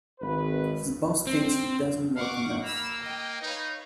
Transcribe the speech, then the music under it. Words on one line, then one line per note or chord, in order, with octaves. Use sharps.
His boss thinks he doesn't work enough.
G#1 B4
C4
F5 F#5 C#6 D6
A#3 B5 E6 F6
D#5 G5
D#4 B4 C#5 F5